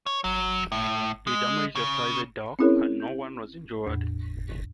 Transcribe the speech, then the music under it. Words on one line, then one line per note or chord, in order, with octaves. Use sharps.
It damaged a private dock, and no one was injured.
C#5
F#3
A2
G#3
C#3
C4 C#4 E4 G#4 A#4 C#5
G6
E2 A2